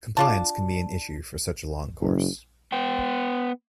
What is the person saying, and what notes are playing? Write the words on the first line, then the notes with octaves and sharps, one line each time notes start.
Compliance can be an issue for such a long course.
D4 F4 A5
F#1
B3 G5